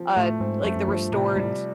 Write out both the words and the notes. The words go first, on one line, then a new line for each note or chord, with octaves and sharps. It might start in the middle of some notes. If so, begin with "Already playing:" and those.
uh, like, the restored,
Already playing: F3 C4
A2 A3
G#2 C4
F#2 A3
F#2
G2 F3
A2 C3
G#2 G3
A2